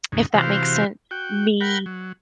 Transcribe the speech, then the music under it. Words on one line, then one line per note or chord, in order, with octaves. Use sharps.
if that makes sense. Me,
D#2 G#2 C#3
C3 E3 F#4 G4 C5 F5
F#4 G5
A#4 F#5 G5 B5
F#3